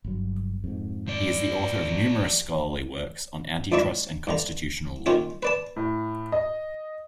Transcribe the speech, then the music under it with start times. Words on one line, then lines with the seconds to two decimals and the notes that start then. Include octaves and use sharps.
He is the author of numerous scholarly works on antitrust and constitutional law.
0.04 G1 F#3
0.64 F2 G#2
1.07 F3 D5
3.72 C#2 G2 E4 D5 E5 C#6
4.27 G2 D3 A#5
5.06 A#2 D#3 C#4 F4 G4
5.43 B4 D5 A5
5.76 A2
6.32 D#5